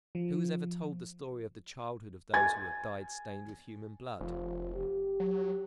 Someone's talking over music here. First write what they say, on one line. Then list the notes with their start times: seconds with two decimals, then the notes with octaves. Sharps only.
Who has ever told the story of the childhood of those who have died stained with human blood?
0.15 F3
2.34 G#5 G#6 A6
4.21 F1 F3
4.75 G4
5.20 F#3